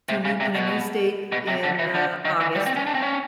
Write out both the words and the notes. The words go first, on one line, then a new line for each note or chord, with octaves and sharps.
to a new in a new state in, uh, August
C3
C#3
C3
B2
B2
C3
D3
E3
D3
D#3
E3
G3
C4
C#4
D4
C4
C#4